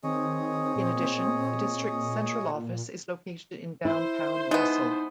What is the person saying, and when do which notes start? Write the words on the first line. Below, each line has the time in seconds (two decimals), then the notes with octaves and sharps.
In addition, the district's central office is located in downtown Russell.
0.03 D#3 C4 G#4 C#5 D#5
0.76 A#2
3.85 E4 C5
4.51 G#3 B3 D#4